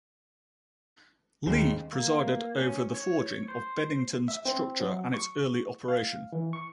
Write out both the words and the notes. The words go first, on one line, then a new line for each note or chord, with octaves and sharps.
Leigh presided over the forging of Bennington's structure and its early operation.
D#2 C#3 G#3 C4
A#3
C#4
C#5
C5
E5
C4
F#3
C#6
F5
E3
C#6